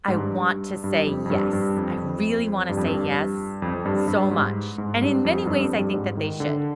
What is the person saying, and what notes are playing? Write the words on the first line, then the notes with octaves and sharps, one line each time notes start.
I want to say yes. I really wanna say yes, so much. And in many ways, I think that they should,
G#2
G2
G2
F2
F2
G2
G2
F2
G2
F2
G2
F2
F2
G2
G2
G#2
G#2
G2
F2
G2
F2
G2
G#2
D#3
D3